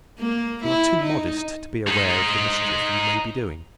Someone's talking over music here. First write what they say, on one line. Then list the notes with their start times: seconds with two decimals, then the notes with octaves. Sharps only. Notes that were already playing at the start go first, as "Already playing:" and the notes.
You are too modest to be aware of the mischief you may be doing.
0.19 A#3
0.64 E4
1.02 D#4
1.87 D#4 C5